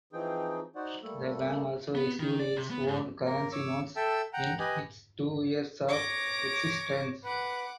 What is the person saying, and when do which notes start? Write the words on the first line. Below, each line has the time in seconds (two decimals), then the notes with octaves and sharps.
The bank also issued its own currency notes in its two years of existence.
0.13 E3 F3 C4 D#4 G#4 G5
0.76 D#4 F#4 C5 D5 F#5
1.02 G3 A3 A#3 A4
1.95 B3
2.19 D#3
2.39 D5
2.56 C3
2.70 B3
2.88 G#2
3.25 A#3 A#4
3.52 C#5 D6 E6
3.96 A4 E5 G5 A5 E6
4.33 F#5 G5 A#5
4.59 G4 B4 D#5 G#5 B5
5.89 C#5 D6 A#6
7.24 B4 F#5 D6